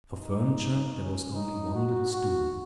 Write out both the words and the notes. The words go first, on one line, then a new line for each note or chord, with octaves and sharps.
For furniture there was only one little stool.
D#4
C#4
D#4
F#4
F#4